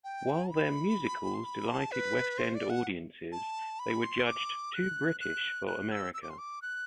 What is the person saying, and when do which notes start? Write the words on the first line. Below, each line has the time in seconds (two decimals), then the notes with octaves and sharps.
While their musicals delighted West End audiences, they were judged "too British" for America.
0.04 G5
0.51 B5
1.34 C6
1.44 B5
1.68 A5
1.92 B4
2.38 C5
2.55 D5
2.70 F#5
3.32 A5
3.79 B5
4.03 C6
4.26 D6
4.74 F#6
5.20 F#6
5.67 F#6
5.92 E6
6.14 E6
6.23 D6
6.30 C6
6.38 D6
6.62 F#6